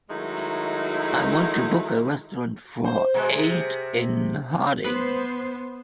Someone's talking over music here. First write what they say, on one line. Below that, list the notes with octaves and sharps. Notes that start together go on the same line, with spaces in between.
I want to book a restaurant for eight in Harding.
D#3 F#3 G#3 A3 D#4 E4
C5
B2 G#3
C3 G#4
B3 B4 C5